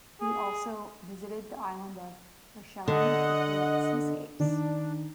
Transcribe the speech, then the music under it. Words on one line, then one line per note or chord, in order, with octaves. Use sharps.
He also visited the island of Terschelling to paint seascapes.
G#4
D3 D#5 F#5
D#3 D4